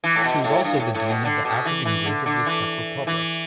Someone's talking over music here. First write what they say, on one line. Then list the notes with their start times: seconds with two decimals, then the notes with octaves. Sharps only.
She was also the Dean of the African Group of the Czech Republic.
0.04 E3
0.16 A2
0.24 B2
0.44 A2
0.64 G2
0.80 A2
0.95 A2
1.10 B2
1.25 D3
1.45 B2
1.65 E3
1.85 E3
2.06 D3
2.26 D3
2.46 E3
3.07 E3